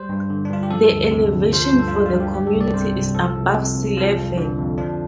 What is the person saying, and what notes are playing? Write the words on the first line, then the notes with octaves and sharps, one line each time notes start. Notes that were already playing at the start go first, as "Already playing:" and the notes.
The elevation for the community is above sea level.
Already playing: G3 C5
G2
D3
D4
G2 F4
G4
F3 A4
D2
C3
D2
F3 C5
C5
G2
A4
F4
D3 D4
F4
G2
G4
G3 G4
A4
C2
D5
C3 C5
C2
F3 A4
C2
C3
C2
F3
F2
D3
F2
F3 D4